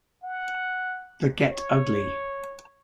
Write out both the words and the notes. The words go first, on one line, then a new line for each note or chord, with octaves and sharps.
The Get Ugly!
F#5
C#5